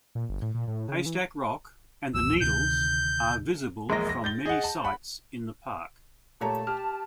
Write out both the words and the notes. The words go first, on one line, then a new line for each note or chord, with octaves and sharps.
Haystack Rock and the Needles are visible from many sites in the park.
A#2
G1
A2
A#2
A2
C#3
E3
D#1 A1 E6
D2 C3 D#3 G6
E1 A#1 G#3 A#4 A#6
A#6
G6 A6 G7
G#4 D#5 F#5
A5
F#5 B5
A#2 A3 G4 C#5 A5 A#5
G4 F6